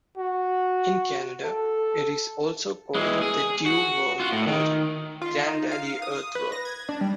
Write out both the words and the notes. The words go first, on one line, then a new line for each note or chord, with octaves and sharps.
In Canada, it is also called the dew worm, or "Grandaddy Earthworm".
F#4
A4
E3 G#3
G#4
F#4
F4 F#4
A2
D#3
F4
D#4
F5
D#6
B4
A#6
G#6
D4
G3